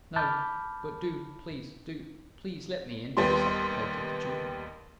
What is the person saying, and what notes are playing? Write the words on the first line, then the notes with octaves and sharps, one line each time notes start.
"No; but do, please--do, please, let me in," supplicated the Jew.
A5 B5 D6 F6 G6 A6
D#2 G3 B3 C6